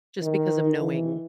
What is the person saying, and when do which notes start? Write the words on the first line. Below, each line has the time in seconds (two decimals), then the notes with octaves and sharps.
just because of knowing
0.22 D#3
0.80 E3